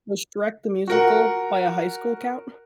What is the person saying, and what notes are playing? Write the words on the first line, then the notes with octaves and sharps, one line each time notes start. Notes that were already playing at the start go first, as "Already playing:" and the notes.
Was Shrek the musical, by a high school, count?
F#4 A#4 F#5